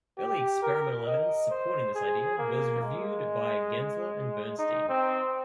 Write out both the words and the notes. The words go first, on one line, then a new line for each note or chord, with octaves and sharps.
Early experimental evidence supporting this idea was reviewed by Gensler and Bernstein.
G4
A#4
D#5
C5
G#4
A#3
G#3
D#4
C4